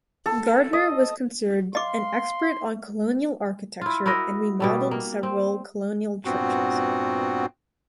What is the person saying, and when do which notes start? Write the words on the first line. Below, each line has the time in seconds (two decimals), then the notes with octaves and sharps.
Gardner was considered an expert on Colonial architecture and remodeled several Colonial churches.
0.26 A4
0.73 D#5
1.75 D#5 F5 C6 D6
3.81 E4 F4
4.06 E4 F#4 A#4 D#5
4.60 B2 G3 A3
4.91 A#3
5.23 C4
6.25 G2 A#2 B3 C4 F#4